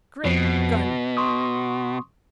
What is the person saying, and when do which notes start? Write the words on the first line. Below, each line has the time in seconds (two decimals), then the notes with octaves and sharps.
Great guns!
0.25 F2 B2 F3 C7
1.17 C6 C#6 D#6